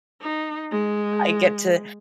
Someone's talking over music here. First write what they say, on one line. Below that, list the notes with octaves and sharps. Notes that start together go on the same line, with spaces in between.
I get to
D#4
G#3